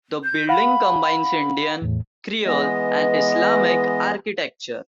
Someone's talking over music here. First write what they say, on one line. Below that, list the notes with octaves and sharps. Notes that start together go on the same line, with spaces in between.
The building combines Indian, Creole and Islamic architecture.
G6
F5 F#5 B5
E2 A2
E3 G#3 B3 D#5